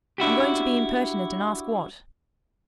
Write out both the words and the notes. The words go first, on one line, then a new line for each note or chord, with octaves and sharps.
I'm going to be impertinent and ask what.
D4 E4 F#4 G4